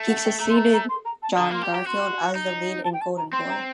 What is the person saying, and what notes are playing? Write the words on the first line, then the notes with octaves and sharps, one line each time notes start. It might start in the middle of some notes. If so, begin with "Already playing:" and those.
He succeeded John Garfield as the lead in "Golden Boy".
Already playing: A3
F#5
G5
A3 A#5
C6
A#5
A#5
C6
A#5
A5
D3 A#5
A#3 C6
G4
A#5
G4
F#4 C6
D#4
A5
G5
A5
A#5
C4 C6
A#5